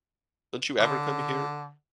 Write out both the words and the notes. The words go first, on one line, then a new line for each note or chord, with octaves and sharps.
Don't you ever come here?
D3